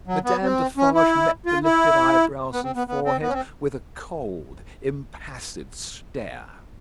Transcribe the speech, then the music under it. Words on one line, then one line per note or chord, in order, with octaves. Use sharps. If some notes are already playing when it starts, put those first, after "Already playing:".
Madame Defarge met the lifted eyebrows and forehead with a cold, impassive stare.
F#3
B3
C4
C#4
E4
F4
E4
B3
C4
B3
B3
C4
B3
C#4
C4